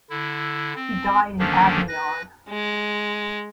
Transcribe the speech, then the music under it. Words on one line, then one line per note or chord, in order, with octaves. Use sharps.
He died in Avignon.
D3 E4
C4
D3 D#3 F3 A#3 C#4 D4
B4 A#6
G#3